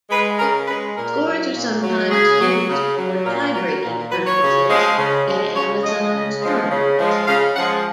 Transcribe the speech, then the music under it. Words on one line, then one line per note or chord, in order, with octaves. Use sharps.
Scores are sometimes used for tie-breaking purposes in Amazons tournaments.
G#3 B4
C#3 A#4
G#3 B4
A#2 A#4
F#3
A#2
F#3
C#3 G#4
F#3
C#3
F#3
A#2 A#4
A#4
F#3 A#4
A#4
A#2 A#4
A#4
F#3 B4
C#5
C#3
F3 G#3
C#3
F3 G#3
C#3 C#5
F3 G#3 D#5
C#3
F3 G#3
C#3
F3 G#3
C#3 F5
F3 G#3 F#5